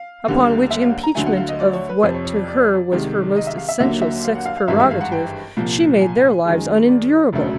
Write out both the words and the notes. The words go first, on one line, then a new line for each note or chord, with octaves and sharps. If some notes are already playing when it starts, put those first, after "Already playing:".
Upon which impeachment of what to her was her most essential sex-prerogative, she made their lives unendurable.
Already playing: F5
D#2 D3 G3 A#3
E5
F5
A#5
D2 D3 F#3 A3 G#5
F#5
F5
D#5
D5
C#5
B4
F2 C3 F3 C5
C#5
C#5
D5
D5
C2 C3 D#3 G#3
D#5
E5
F5
E5
D#2 D3 F#3 A#3 E5
E5
F5
F#5
F5
F5
G#1 G2 E3 G#3 E5
E5
F5
F#5
G5
C2 A#2 F3 A#3
G#5
F#2 D#3 G#3
D5
E1 D2 C#3 F#3 A3